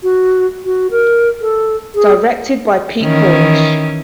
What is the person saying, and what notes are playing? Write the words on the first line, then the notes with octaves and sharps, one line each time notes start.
Directed by Pete Cornish.
F#4
F#4
A#4
A4
G#4
D#3 E3 C#4